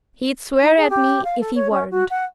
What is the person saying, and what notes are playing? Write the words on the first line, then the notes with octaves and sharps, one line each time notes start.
'He'd swear at me if he weren't.
D#4
G#4
G4
F5
A4
C#5
C#4
F#4
F#5